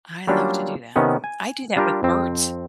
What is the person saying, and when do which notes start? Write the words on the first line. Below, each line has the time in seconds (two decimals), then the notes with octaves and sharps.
I love to do that. I do that with birds.
0.27 F#3 G3 A#3 C#4 D4 F4
0.96 C3 D#3 B3 C#4
1.24 G#5
1.76 G3 D4 F4 G4 A#4
2.03 F2 C4